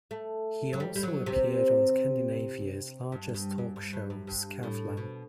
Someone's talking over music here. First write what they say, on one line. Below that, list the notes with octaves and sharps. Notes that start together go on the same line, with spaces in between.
He also appeared on Scandinavia's largest talkshow "Skavlan".
A3
F#3
G3
G3
F#3
C3
G2
G2
F#2
G2
G2
F#2
G2
A2
B2